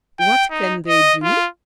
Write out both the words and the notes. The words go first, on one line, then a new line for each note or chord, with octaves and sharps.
What can they do?
G5
D#4
D#5
F4